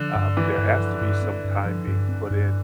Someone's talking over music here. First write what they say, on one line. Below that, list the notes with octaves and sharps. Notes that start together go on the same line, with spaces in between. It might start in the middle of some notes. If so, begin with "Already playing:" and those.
Uh, there has to be some time being put in,
Already playing: D3 F3
G2
E3 C4
G2
F3
G2
C4
G2
F3
G2
C4
G2